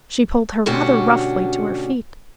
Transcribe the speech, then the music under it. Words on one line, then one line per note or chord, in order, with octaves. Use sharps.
She pulled her rather roughly to her feet.
D2 B2 C#4 D4 F#4 G4